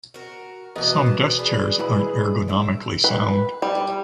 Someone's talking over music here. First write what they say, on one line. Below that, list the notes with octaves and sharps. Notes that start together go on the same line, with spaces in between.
Some desk chairs aren’t ergonomically sound.
F#4 A#4
E2 B2 A#3 D#5
A5
D4 G#4 B4
G#3 E4 G#4 B4 B5
A2 E5
B4
G3